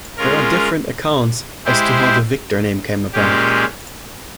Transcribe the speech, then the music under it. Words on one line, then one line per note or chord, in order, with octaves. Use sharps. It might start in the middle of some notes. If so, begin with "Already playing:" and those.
There are different accounts as to how the "Victor" name came about.
G#3 C#4 F4 A#4
G#3 E4 G4 C5
A#2 G#3 C#4 G4